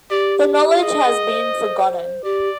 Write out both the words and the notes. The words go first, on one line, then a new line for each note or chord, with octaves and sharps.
The knowledge has been forgotten.
G4 D5
G#4 D#5
G#4
C5
G4 D5